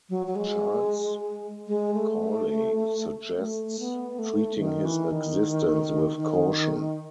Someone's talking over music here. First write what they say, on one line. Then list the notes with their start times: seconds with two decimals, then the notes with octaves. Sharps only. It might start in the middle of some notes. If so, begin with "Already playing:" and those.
Charles Cawley suggests treating his existence with caution.
0.09 F#3
0.27 F#3
0.36 G#3
1.68 G#3
1.94 A3
3.39 A3
3.79 B3
4.19 A3
4.59 D#3
4.85 E3
5.11 D#3
6.17 D#3